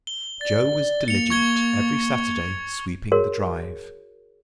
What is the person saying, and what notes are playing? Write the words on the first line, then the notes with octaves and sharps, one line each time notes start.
Joe was diligent every Saturday sweeping the drive.
G7
D5 A6
A#3 C#7 F7
C#6 G#6 G7
F#4 G#4 A#4 C#5